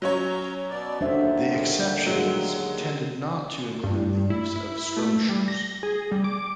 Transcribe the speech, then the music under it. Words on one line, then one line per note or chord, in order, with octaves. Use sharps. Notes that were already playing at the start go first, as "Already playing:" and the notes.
The exceptions tended not to include the use of skirmishers.
F#3 C#4 C#5 A#5
B2 D5
D#2 D3 D#3 D4 C5 E5
F#3 G#3
G2
E4
E4
A3
G3
A#6
G#4
G3
D6